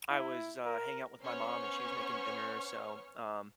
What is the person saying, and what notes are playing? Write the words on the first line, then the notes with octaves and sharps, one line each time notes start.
I was, uh, hanging out with my mom and she was making dinner, so, um,
E4
A#4
B3 C#4 C5 C#5 C#6 F6